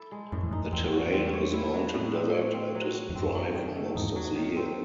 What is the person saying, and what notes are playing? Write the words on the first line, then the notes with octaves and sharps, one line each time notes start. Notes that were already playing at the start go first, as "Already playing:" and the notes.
The terrain is mountain desert and is dry for most of the year.
Already playing: E4 A4
G#3
F#2 A2
E2
F#2 D#4
E2 C4
F#4
C4
C#5
E4
F#3
A2
C4
C#5
C4
F#3
F#4
E2
F#2 C4
F#3
D#3
A3
E2 G#2 D#4
F#3
D#3
C4